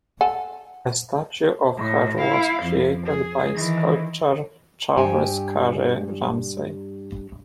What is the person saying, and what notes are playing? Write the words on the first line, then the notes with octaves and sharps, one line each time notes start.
A statue of her was created by sculptor Charles Cary Rumsey.
A4 F#5 G#5
A2
E4 F5
F2
G#4
D#3 E3
G2 G4 G#5